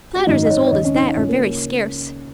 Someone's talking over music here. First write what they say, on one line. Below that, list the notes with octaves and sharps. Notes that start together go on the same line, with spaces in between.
Platters as old as that are very scarce.
F#4
G#1 F#2 D#3 D#4
D#5
C#5
C#5
D#2 C#3 D#5
C#4
D#4
C#2 C#3 C#4
A#3